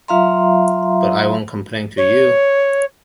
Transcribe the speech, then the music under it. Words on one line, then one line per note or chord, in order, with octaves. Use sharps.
But I won’t complain to you!
F#3 F4 E5 F5 A#5 C6
C#5